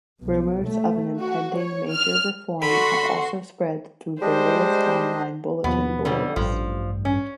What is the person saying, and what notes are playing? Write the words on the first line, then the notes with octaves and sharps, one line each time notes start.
Rumours of an impending major reform have also spread through various online bulletin boards.
B1
A3
F#4
C#5
F6
D3 F#4 B5 C6
G3 G#3 D4 C5 D#5
D#2 B2 F3 B3
F2 D3 G3
A1 G2 F3
C#4